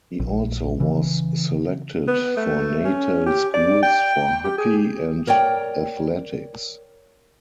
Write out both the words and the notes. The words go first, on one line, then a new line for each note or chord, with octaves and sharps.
He also was selected for Natal schools for Hockey and athletics.
A#1
C#3 E3
B3
A3
C#4
G4
D5
G5
G4
G#4
A#4 C#5 D5 G5